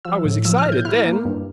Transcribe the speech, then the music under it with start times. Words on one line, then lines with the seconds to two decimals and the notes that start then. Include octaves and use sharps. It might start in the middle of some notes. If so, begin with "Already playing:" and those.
"I was excited then."
0.05 F3 E6
0.25 A2
0.45 F3 E6
0.58 F6
0.65 A2
0.72 G6
0.85 E4 F6
1.05 A#3
1.25 G2